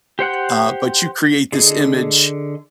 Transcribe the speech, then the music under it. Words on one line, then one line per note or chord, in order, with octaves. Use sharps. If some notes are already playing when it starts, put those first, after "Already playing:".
uh, but you create this image
G4 C5 F#5 F#6
D3 G#4 D#5